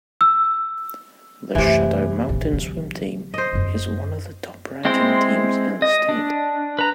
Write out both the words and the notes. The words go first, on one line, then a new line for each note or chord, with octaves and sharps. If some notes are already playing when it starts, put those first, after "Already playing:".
The Shadow Mountain swim team is one of the top-ranking teams in the state.
E6
F#2 C3 E3 A3
A#1 F3
D3 F#3
C5 D#5
F#2 C4
G#3 C4 E4 C5 C6
D#5
D4
B4 A#5